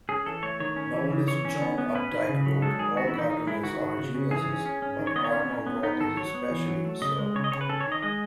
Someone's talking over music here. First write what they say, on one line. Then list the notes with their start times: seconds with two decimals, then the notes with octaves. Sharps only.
Novelist John Updike wrote, All cartoonists are geniuses, but Arnold Roth is especially so.
0.09 C#4 G#4
0.26 E3 A4
0.43 A3 C#5
0.60 D#3 C#5
0.76 C#4
0.93 E3
1.10 C#3
1.27 E3 C#5
1.45 C#4
1.62 B3
1.78 B3
1.95 C#4 B4
2.12 D#3
2.29 C#3
2.46 F#3
2.62 G#3 A4
2.79 D#3 G#4
2.97 B3 F#4
3.07 E4
3.13 E3
3.19 D#4
3.30 E3 D#4
3.47 G#3 E4
3.63 D#3 F#4
3.80 D#3
3.98 C#3
4.15 C#3
4.31 E3 G#4
4.49 C#4
4.65 C#4
4.82 C#4
4.99 D#3
5.07 C#5
5.16 B3 D#5
5.24 C#5
5.32 C#4
5.49 C#4
5.66 B3
5.83 B3 D#4
6.00 D#3 A4
6.17 F#3 C#5
6.34 B3
6.51 E3
6.68 F#3
6.85 A3
7.02 C#3 D#5
7.18 G#3
7.35 C#3 C#5
7.44 D#5
7.52 C#3 C#5
7.61 B4
7.69 C#4 A4
7.81 C#5
7.86 D#3
7.92 D#5
8.02 G#3 D#5